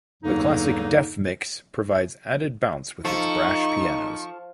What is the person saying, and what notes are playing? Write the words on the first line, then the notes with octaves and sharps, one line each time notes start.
The classic Def Mix provides added bounce with its brash pianos.
E2 G2 D3 F#3 A#3 D#4
F3 D#4 F4 A4 C#6